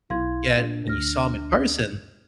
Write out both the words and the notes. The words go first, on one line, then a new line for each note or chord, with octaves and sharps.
Yet when you saw him in person,
B1 E4 F5 C6 G#6
A#2 D4
D2 F6 A#6